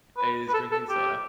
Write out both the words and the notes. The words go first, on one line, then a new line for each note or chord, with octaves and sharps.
is drinking soda.
B4
B4
A4
A4
G4